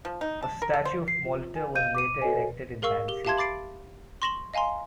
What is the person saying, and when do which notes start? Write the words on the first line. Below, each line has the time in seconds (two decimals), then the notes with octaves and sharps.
A statue of Molitor was later erected in Nancy.
0.05 F3
0.21 D#4
0.43 A5
0.62 A#4
0.74 A4
0.85 C5
1.08 C7
1.25 F4
1.55 G#5
1.75 D#5 F5 G6 D#7
1.95 D6 D#7
2.22 F#4 A4 C#5 D#5 G#5
2.82 G#4 A#4 F5 C#6 E6
3.08 G4 G7
3.25 G4 E5 F5 A5 C6 G#6
3.38 B5 D6 A6 C7 D7
4.22 C6 C#6 A#6 E7 F#7 G7
4.54 D#5 F5 G#5 A#5 C6